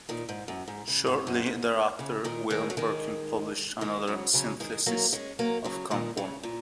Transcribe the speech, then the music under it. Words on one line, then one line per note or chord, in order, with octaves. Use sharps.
Shortly thereafter, William Perkin published another synthesis of camphor.
A#2 D#3
G#2
F#2
G#2
C#3
G#2
F#2
G#2
C#3
A#2 D#3
D#3 G#3
F#3
D#3 G#3
D#3 G#3
C#3 F#3
C#3 F#3
D#3 G#3
F#3 A#3
G#3 C#4
F#3 A#3
C#3 F#3
A#2 D#3
C#3
A#2